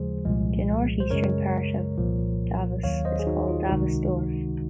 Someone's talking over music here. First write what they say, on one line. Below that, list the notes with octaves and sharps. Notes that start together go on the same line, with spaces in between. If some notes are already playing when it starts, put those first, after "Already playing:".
The north-eastern part of Davos is called Davos Dorf.
Already playing: D#2 C#3 F3 G#3 G#4 C5
C2 A#2 F3 G#3
C5
F#2 C#3 G#3 A#4 C#5
C2 A#2 F3
D#2 D#3 F#3 C#5 F5
C5 D#5
G#4
D#4 F#4
F4
C#2 C3 D#3 G#3 D#4 F#4